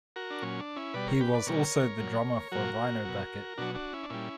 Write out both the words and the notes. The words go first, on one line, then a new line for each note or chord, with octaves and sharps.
He was also the drummer for Rhino Bucket.
F#4 A#4
D4
A#2 F#3 C#4
D4
C#4 E4
B2 G3 B4 D5
A#4 C#5
G4 B4
B4 D5
B2 G3 A#4 C#5
A#2 F#3
A#2 F#3 F#4 A#4
B2 F#3
B2 F#3 D4 F#4
D4 F#4
C#4 E4
D4
A#2 G3 C#4 E4